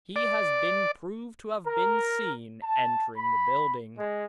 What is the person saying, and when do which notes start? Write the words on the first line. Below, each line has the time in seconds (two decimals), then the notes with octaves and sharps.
He has been proved to have been seen entering the building.
0.16 D5
1.66 A#4
2.64 A5
3.17 B5
3.98 G#3